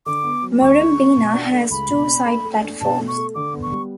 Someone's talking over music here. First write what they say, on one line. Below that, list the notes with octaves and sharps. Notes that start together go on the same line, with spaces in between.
Murrumbeena has two side platforms.
D3 D6
B3
F#3
D2 C#6
D3
B3
B2
D4
A3
C#2 B5
B2
D4
A3
A4
D4
B2 A5
A3
C#6
A4
D3 D6
B3
C#6
G3